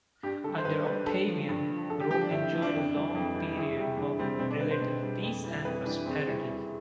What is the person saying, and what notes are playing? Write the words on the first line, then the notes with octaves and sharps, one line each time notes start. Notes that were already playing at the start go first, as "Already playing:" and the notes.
Under Octavian, Rome enjoyed a long period of relative peace and prosperity.
G2 G4
D3 G3 A4
C5
G2 B4
D3 G3 B4
G2 A4
F3
G2
F3
G2 A4
G4
F3 G4
D4
G2 E4
F3 E4
D4
F2
E3 G3
F2
E3 G3
E2 E4
C3 G3
E2 D4
C3 G3 C4
B2 C4
D4
G3 B4
C5
B2
G3
F2
E3 G3
F2 B4
E3 G3 D4
E2 C4
C3 E3 G3
E2